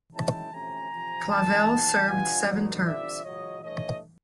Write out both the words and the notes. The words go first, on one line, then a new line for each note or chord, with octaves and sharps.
Clavelle served seven terms.
F#2 D#3 G#3 C#4 E4 G5 A5
D2 C3 F3 A3 C#4 G#5 A#5
F2 C3 F3
C#2 C3 D#3 G5 A5
D#2 D#3 F#3
B2 G3 B3 D4 F4 F#5 G#5
D3 F#3 B3 D#4
D3 G3 C4 F4 D5 E5
C#2 C#3 F#3 C#5 D#5
G2 E3 A3 C#5 D#5